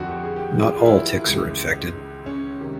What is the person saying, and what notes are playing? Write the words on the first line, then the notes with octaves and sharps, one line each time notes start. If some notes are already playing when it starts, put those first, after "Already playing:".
Not all ticks are infected.
Already playing: F2 D3 F#4
G4
G#4
G4
G#4
G4
F4
E4
C#2 C#3 E3
C#4
C3 D#3